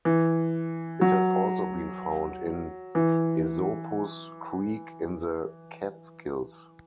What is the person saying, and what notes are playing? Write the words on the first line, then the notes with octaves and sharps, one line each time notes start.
It has also been found in Esopus Creek in the Catskills.
E3
F#3
E3